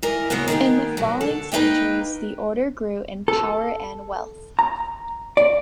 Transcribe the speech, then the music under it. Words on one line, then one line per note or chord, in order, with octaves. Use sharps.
In the following centuries the order grew in power and wealth.
E3 A#4 D#5
C#3 F#3 G#3 A#3 B3
D#3 G#3 A#3 B3 G4
B2 F#3
D3 A4
A#3 D#4 B4 D#5 G5
A4
A#5
D5